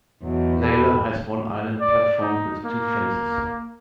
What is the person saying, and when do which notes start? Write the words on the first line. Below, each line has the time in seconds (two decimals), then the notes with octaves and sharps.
Lalor has one island platform with two faces.
0.23 E2 B2 F#3
0.62 G4 A4 B4
1.81 D5
2.21 D#4
2.65 A#3